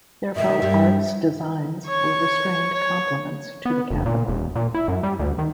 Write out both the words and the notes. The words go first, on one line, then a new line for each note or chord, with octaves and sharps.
Their Beaux Arts designs were restrained complements to the Capitol.
B2 D#3 G#3 E5
G2 G3 A#3
C#5 C#6
C#5
B3
F1
A#2
E1
A#2
E4
F#2
G3
D2
D#3